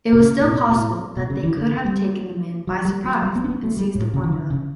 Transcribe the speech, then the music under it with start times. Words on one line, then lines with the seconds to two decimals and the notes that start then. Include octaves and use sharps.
It was still possible that they could have taken the man by surprise and seized the formulae.
0.13 B2
0.20 C#3
0.41 A2
0.48 B2
0.69 B2
0.75 A2
1.16 B2
1.30 C#3
1.43 E3
1.57 D3
1.85 G3
2.67 F#3
2.85 G3
3.04 F#3
3.22 G3
3.36 B3
3.44 C#4
3.49 B3
3.63 A3
3.77 G3
3.95 A2
4.14 C#3
4.23 E3
4.32 D3
4.50 C#3